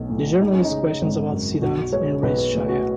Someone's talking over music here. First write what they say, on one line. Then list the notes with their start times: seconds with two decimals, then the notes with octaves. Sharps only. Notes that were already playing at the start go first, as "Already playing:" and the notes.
The journalists question about Siddhant enrage Chaya.
Already playing: B1 F#3 A3
0.09 A2
0.40 G#3 D#4
0.53 C#4
0.64 D#4
0.71 C#3
1.01 G#1
1.31 F#2
1.61 B1 F#4
1.92 G#3 C#5
2.23 B1 B4
2.38 B4
2.53 A2
2.69 F#4